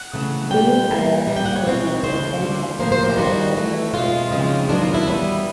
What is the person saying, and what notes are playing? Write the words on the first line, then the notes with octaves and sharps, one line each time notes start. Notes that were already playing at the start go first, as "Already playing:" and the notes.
These islands were more than ten times the size of Mauritius and Reunion.
Already playing: F#5
C#3 E3 A3 C4
A#2 G3 C4 G5
E3 G3 A#3
A#2 G3 B3
G5
F#5
C#5
B2 G#3 C4
C#3 F3 A3 C5
D3 G3 A#3
A2 F3 A#3 C5
C5
G4
D#3 G3 B3 F#4
E3 A3 C4
B2 G#3 C4 F4
C#3 F3 G#3 C4
D#3 F#3 B3 D4
F4
E4
E3 G3 B3 C#4